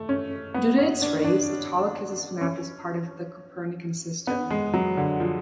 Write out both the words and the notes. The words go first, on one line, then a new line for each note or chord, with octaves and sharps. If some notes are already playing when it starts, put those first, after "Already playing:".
Due to its rays, Autolycus is mapped as part of the Copernican System.
Already playing: A3
C#4
B3
C#4
D4
D4
C#4
B3
G#3
F#3
D3
F3